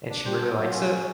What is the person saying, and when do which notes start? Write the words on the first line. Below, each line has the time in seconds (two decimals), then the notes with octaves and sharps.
And she really likes it?
0.09 D4
0.25 G3 C5
0.41 A4
0.57 F#3 F4
0.73 C#4
0.90 G#3